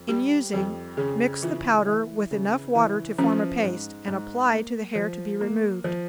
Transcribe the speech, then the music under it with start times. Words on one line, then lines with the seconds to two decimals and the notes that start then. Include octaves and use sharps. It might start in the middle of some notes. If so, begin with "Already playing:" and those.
In using mix the powder with enough water to form a paste, and apply to the hair to be removed.
Already playing: F2
0.09 G3 G4
0.53 F2 G4
0.97 C#3 G#4
1.42 E3 F4
1.87 E3
2.31 C#3
2.75 E3
3.19 F3 C#4
3.63 G#2
4.07 G#2
4.51 A#3
4.95 F3
5.41 A#3
5.84 F3